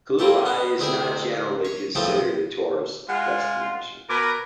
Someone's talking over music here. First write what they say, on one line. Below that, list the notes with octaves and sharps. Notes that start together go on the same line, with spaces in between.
Kahului is not generally considered a tourist destination.
A#3 C4 E4 G4 A4
B3 C#4
D2 E4 G#4 E5 G5
C#5
B1 A2 C#3 F3 C4 A5
G#3 F4 F#5
B2 A#4 B4 D6 G#6